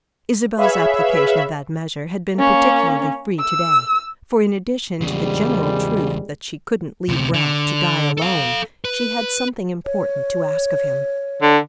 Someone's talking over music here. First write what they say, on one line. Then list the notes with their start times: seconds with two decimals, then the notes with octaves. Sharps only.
Isabel's application of that measure had been particularly free to-day, for in addition to the general truth that she couldn't leave Ralph to die alone she had something important to ask of him.
0.57 G#4 B4 C#5 E5 F5 B5
2.38 A#3 C#4
3.40 E6
5.01 A#1 E2 C#3 G3 G#3
7.09 D2 C3
7.34 D3
8.18 A4 F5
8.85 B4
9.85 C#5
11.42 D3